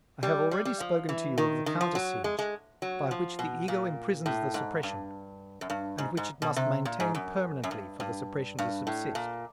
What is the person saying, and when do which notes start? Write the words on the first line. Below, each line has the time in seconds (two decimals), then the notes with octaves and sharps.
I have already spoken to you of the counter siege by which the ego imprisons the suppression and which it must maintain permanently for the suppression to subsist.
0.23 G3
0.51 G3
0.65 G3
0.80 F3
1.09 E3
1.38 D#3
1.66 D#3
1.81 F3
1.95 F#3
2.24 G#3
2.39 G#3
2.82 F#3
3.11 F3
3.39 B2
3.68 A#2
4.26 A2
4.54 G#2
4.83 G2
5.61 F#2
5.70 G2
5.98 G#2
6.17 G#2
6.42 B2
6.56 C3
6.85 A#2
7.00 G#2
7.15 F#2
7.64 F#2
7.71 G2
8.00 G2
8.59 G2
8.87 A2
9.15 A#2